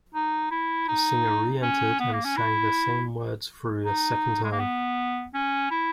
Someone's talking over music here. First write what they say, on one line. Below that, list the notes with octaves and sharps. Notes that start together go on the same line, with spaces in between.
The singer re-entered and sang the same words through a second time.
D#4
E4
D#4
C#4
B3
A#3
C#4
E4
D#4
G#3
A#3
B3
C#4
E4